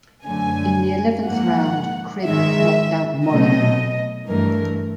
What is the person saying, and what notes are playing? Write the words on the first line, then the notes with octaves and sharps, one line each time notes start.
In the eleventh round Cribb knocked out Molineaux.
F#2 D3 F#3 A3 G#5
G#2 F3 A#3 F#5
G#2 D#3 G#3 E5
B2 F#3 A3 D#5
G2 E3 A3 A#4